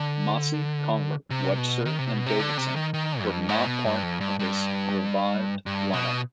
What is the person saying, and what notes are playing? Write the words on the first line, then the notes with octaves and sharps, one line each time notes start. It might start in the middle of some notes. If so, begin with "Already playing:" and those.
Masi, Conger, Webster and Davidson were not part of this revived line-up.
Already playing: D3
C3
B2
D#3
C3
B2
C3
D3
C3
D#3
D#3
F2
G#2
B2
G2
F2
G2
G2
G2
B2